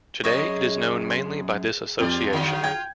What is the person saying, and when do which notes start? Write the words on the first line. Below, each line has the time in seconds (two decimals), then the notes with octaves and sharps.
Today it is known mainly by this association.
0.24 F#2 G#3 C#5 D#5
1.10 C6
2.00 F2 F4 G4 D5
2.33 D3 F#3 G#3
2.64 G5 G#6